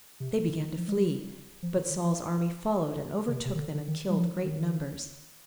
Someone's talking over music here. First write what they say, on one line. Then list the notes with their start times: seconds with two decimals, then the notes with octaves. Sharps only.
They began to flee. But Saul's army followed and overtook them and killed great numbers.
0.20 C3
0.48 D3
0.64 D#3
0.77 F3
0.88 G#3
0.92 G3
1.63 F3
1.76 D3
1.90 D#3
2.04 F3
3.28 D3
3.31 C3
3.45 C3
3.55 D#3
3.59 D3
3.74 D3
3.88 D#3
4.10 G3
4.16 F3
4.44 D#3